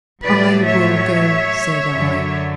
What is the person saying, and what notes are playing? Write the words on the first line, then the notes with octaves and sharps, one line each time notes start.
"I will go," said I.
A2 F#3 B4 D5
C#5 E5
F#2 D3 F#3